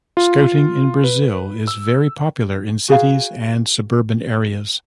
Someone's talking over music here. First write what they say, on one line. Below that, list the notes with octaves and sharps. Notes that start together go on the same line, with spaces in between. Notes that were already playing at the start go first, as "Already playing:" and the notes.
Scouting in Brazil is very popular in cities and suburban areas.
F4
B4
E6
F#4 G#4 B4 F5